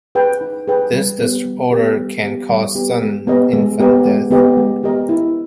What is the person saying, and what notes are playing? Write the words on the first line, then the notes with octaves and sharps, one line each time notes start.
This disorder can cause sudden infant death.
G#4 B4 G5
D#4
G#4 B4 G5
G3
B3 G4
G3
B3 G4
G3
B3 G4
G3
B3 G4
G#3
B3 G4 A#4 D#5
G#3
B3 G4 A#4 D#5
G#3
B3 G4 A#4 D#5
G#3
B3 G4 A#4 D#5
E4